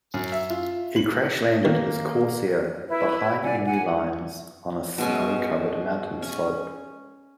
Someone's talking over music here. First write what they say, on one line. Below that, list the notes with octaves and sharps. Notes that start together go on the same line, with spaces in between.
He crash-landed his Corsair behind enemy lines on a snow-covered mountain slope.
F#2
E5
F4
F#7
D#3 A#3
E4 B4
D5 F#5 G#5
F#5 G#5
B2 G#3 C#4
C#4